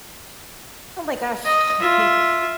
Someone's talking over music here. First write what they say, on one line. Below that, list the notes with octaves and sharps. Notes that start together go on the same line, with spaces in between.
Oh my gosh, I think
D#5
F4 E5